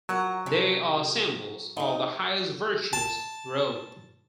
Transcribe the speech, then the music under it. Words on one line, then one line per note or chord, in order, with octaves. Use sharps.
They are symbols of the highest virtues of Rome.
F3 F#3 A#4 F#5
C3 F3
C#3 D#4
A5